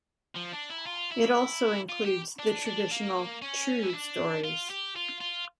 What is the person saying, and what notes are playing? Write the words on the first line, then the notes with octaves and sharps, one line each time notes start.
It also includes the traditional "true" stories.
F3
D4
E4
F4
E4
F4
G4
D4
D4
A#3
C#4
E4
D4
F4
G4
F4
F4